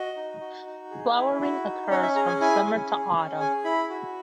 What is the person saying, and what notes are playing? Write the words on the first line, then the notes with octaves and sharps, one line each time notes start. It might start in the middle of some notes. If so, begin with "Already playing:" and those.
Flowering occurs from summer to autumn.
Already playing: F#4 D#5
D#4
F#4
D#4
G#4
E4
F#4
D#4
C#4 C#5
E5
G#4 A#5
G#5
E4 G#5
C#4
G#4
C#4
G#4 G#5
E4 B5
F#4